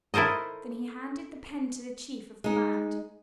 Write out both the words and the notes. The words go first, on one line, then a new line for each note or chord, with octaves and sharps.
Then he handed the pen to the chief of the band.
E4 A4 A#4 C5 D#5
G#3 D#4